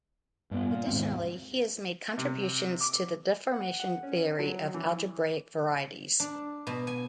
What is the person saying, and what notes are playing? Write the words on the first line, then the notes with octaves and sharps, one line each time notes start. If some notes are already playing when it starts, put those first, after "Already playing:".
Additionally, he has made contributions to the deformation theory of algebraic varieties.
G2 B3
A#2
D#2 G#2 B2 C4
C3
D6
F#5
F#5
C#4
F#3
E3
D4
B2
G#5